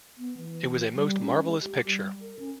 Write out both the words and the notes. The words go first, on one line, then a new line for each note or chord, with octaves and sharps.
It was a most marvelous picture.
B3
E3
G3
C#4
G#3
G4
G3
A#4
C#4